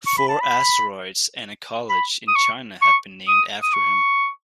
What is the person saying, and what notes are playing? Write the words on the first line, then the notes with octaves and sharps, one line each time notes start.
Four asteroids and a college in China have been named after him.
C#6
B5
A5
B5
B5
D#6
C#6
C#6
D#6
D#6
C#6